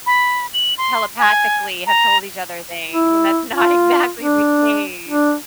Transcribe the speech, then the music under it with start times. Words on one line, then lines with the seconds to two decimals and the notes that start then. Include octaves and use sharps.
telepathically have told each other things, and that's not exactly the case.
0.06 B5
0.54 F#7
0.78 C6
1.19 G#5
1.87 A#5
2.91 E4
3.53 F4
4.19 D4
5.09 D4